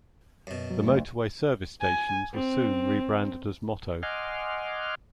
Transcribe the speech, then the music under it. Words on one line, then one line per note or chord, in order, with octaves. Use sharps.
The motorway service stations were soon rebranded as Moto.
F#2 B2
F#3
D2
G#5
C4
D#5 F#5 G#5 C6 D6 F6